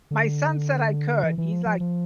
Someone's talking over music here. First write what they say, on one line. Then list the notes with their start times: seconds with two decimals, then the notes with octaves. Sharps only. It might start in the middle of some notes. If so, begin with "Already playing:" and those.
my son said I could, he's like,
0.11 D3
1.23 E3
1.38 E3
1.52 F3
1.66 F3
1.80 F3